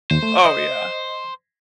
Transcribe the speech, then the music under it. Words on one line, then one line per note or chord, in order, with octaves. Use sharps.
Oh yeah.
D#2 C5
A3
D#5